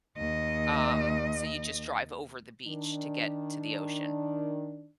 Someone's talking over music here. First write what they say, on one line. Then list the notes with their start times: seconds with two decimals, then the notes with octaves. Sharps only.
um, so you just drive over the beach to get to the ocean,
0.17 D#2 D#5
2.67 D#3 D4